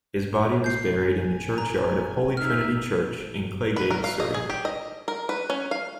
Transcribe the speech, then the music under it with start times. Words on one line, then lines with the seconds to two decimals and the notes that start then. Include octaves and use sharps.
His body was buried in the churchyard of Holy Trinity Church, in Claygate, Surrey.
0.64 G6 C7
0.99 G#5
1.58 A#5
2.37 D#4 E5 F6
3.76 B4
3.91 A#4
4.04 F5
4.20 D#5
4.34 G#4
4.50 G4
4.65 D#5
5.08 A#4
5.29 B4
5.50 C#4
5.71 F5